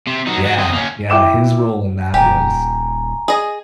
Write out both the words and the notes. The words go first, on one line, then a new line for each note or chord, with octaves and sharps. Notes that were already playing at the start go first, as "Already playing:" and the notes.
Yeah, yeah. His role in that was
C3
F#3 D#4
F#3
C4 D#5
A#3 C#4
E4 G5 D6 E7
D#1 G4 G#5 A#5
G#4 D#5